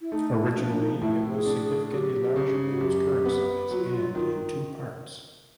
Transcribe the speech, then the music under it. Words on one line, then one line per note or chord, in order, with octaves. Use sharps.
Originally it was significantly larger than its current size and in two parts.
E4
A3 D#4
E4
F3 D4
D#4
A2 E4
G#4
D4
G#4
F#3 G4
C#3
F#4
F#2 G4
B3
F#3 F#4
F4
F#4
F4
D#3 F4